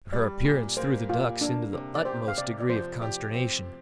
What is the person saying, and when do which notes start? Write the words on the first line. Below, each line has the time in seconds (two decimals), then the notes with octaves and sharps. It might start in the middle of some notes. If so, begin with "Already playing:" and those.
But her appearance threw the ducks into the utmost degree of consternation.
0.13 G3 D5
0.44 A#2
0.77 A#3 C5
1.09 A#2 F4
1.41 A#3 D4
1.73 C3
1.95 D5
2.05 G4 C5
2.28 F5
2.37 C3 D5
2.60 D5
2.69 F3 C5
3.02 G4 D5
3.34 C4